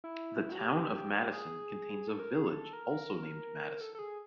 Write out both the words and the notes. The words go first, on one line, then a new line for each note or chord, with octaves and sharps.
The Town of Madison contains a village also named Madison.
E4
F#4
G4
G#4
G4
G#4
A4
A#4
G#4
A4
A#4
A4
A4
G#4